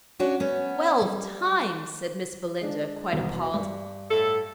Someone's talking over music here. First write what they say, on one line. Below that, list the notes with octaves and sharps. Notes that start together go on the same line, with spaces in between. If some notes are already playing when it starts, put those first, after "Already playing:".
"Twelve times!" said Miss Belinda, quite appalled.
C#4 D4 F#4 C#5
B3 C#4
G3
G#3 D4
E1 C2 B2
G2
A2 A4